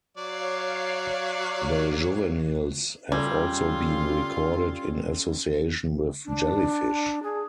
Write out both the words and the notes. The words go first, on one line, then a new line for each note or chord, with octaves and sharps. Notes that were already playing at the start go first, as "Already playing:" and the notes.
The juveniles have also been recorded in association with jellyfish.
F#3 C#5 D5 F5 C7
G3 C#4 F4 A4 G#6
D4
G#4